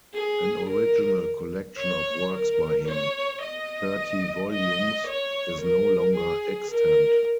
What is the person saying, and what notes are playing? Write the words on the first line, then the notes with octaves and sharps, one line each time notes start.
An original collection of works by him, in thirty volumes, is no longer extant.
G#4
A#4
C#5
A#4
C#5
D#5
D#5
C#5
A#4
G#4
A#4